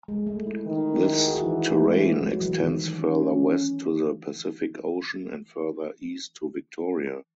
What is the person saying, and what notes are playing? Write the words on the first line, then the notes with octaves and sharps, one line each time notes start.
This terrane extends further west to the Pacific Ocean and further east to Victoria.
G#3
A3
E4
D#3
E4
G#4
F#4
E4
E3 D#4
A3
G#3
F#3
E3
D#3
C#4